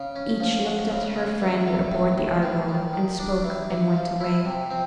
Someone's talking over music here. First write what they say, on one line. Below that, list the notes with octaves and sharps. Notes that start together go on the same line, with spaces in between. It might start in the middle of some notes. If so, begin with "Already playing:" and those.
Each looked at her friend aboard the Argo, and spoke, and went away.
Already playing: C#3
C#4
F3
F#4
C#3
C#3
E3
E3
A2
A2
D#3
D#3
D#3
D4
E3
E3
F3
E4
C3
C4